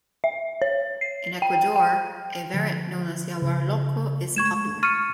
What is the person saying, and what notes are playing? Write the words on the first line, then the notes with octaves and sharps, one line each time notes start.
In Ecuador, a variant known as yahuarlocro is popular.
E5
C#5
C7
G5
G5
D3 F3
C#3
G#3 A3 C#6 G#6 E7
C#6 F6 A6 C#7 D#7